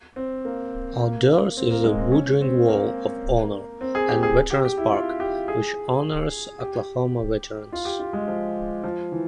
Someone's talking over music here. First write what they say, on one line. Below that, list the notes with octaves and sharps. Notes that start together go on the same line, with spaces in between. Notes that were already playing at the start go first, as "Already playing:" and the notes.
Outdoors is the Woodring Wall of Honor and Veterans Park, which honors Oklahoma veterans.
C4
A#3
A#3
C4
A#3
G#3
C4
C#4
C4
A#3
C4
G#4
G4
G#4
G4
G4
E4
F4
G4
G#4
G4
F4
G4
F4
G#3
F3
F3
E3